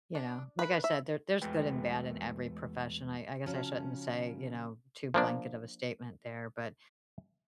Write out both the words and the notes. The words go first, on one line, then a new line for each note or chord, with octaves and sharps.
you know. Like I said, there there's good and bad in every profession, I I guess I shouldn't say, you know, too blanket of a statement there, but
D4
B4
E5
E2 G#3 A3 F#4 B4 G5
C#3 F3 C#4 F#4 A5 A#5
F3 A#3 D4